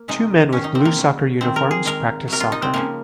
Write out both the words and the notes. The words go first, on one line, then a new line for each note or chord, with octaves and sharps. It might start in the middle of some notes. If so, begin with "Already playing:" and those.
Two men with blue soccer uniforms practice soccer.
Already playing: A#3
C3 F3 G#3 D#4
D#3 A#3 C#4
D#4
C4
A#3
C#3 F#3 A#3
D#3 G#3 C4
A#4
G#4
D#3 G#3 A#4
C3 F#3 A#3 A#4
F4
D#4
C4
C#3 F3 G#3 A#3